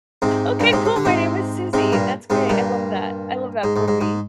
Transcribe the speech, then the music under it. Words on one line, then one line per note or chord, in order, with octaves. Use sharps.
Okay, cool, my name is Susie, that's great, I love that. I love that for me.
G#2 C3
G2 A#2
G#2 C3
C3
D3
G#2 C3
G#2 C3
G2 A#2
G#2 C3
G2 A#2
G#2
G#2
G#2
G#2